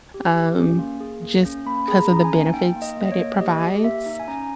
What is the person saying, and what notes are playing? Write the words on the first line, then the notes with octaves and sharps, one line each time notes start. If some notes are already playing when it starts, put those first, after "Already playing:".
um, just 'cause of the benefits that it provides,
G4
G4
C#4
A#3
G#4
A#3
C#4
A#3 B5
G#4 B5
A#5
C#4 A#5
G#5
A#3
D#4 G5
A#3
D#5
A#3
D#5
C#5
A#3
G4 D#5
G4
A#3 E5
D#4
G#5
C#4 A#5